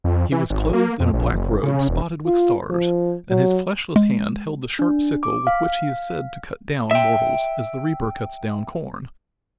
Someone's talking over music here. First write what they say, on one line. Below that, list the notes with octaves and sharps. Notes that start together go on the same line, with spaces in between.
He was clothed in a black robe spotted with stars and his fleshless hand held the sharp sickle with which he is said to cut down mortals as the reaper cuts down corn.
F2
E3
G#1
A#3
F2
A#1
F#1
C#3
E1
F4
F3
F#3
G#3
D4
D6
F5
E5 G5